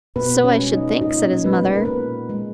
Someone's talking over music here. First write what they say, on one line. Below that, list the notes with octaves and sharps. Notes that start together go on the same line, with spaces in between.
"So I should think," said his mother.
B2 B3 B4
C#4 C#5
G#3
D#4 D#5
A#2 D#4 D#5
C#4 C#5
G#3 B3 B4
B4
A#4
A#2 B3 B4
G#3